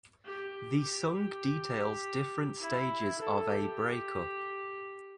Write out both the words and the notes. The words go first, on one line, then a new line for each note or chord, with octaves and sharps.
The song details different stages of a breakup.
G4
G4
G4
E4
A4
G4